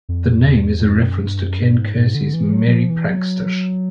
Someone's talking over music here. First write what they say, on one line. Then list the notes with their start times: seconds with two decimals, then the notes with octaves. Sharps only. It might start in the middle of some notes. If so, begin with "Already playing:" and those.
The name is a reference to Ken Kesey's Merry Pranksters.
0.09 F2
0.47 E2
0.84 F2
1.03 F#2
1.21 G2
1.40 F#2
1.58 G2
1.78 G#2
1.97 G#2
2.15 D3
2.34 E3
2.53 F#3
2.66 F#3
2.71 F3
2.90 E3
3.09 F#3